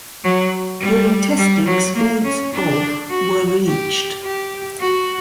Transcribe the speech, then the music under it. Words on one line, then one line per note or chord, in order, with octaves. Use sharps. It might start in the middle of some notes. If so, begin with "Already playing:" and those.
During testing speeds of were reached.
F#3
G3
G3
F#3
A#3
C#4
D4
F#4
G4
G4
F#4